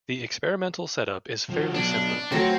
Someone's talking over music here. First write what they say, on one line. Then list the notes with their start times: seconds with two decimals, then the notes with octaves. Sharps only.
The experimental setup is fairly simple.
1.50 F3 F#4
1.75 F#3 B3 D4
2.32 F#3 A3 C4 A#4 C#5